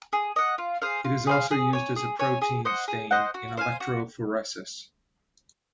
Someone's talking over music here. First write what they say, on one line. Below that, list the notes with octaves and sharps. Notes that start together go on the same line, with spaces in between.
It is also used as a protein stain in electrophoresis.
G#4
D#5 F#5
F4
G#4 C5 F5
F4
G#4 C5 F5
G#4
C#5 G#5
G#4
C#5 G#5
G#4
C5 D#5 F#5
G#4
C5 D#5 F#5
F#4
C5 F5 G#5
F#4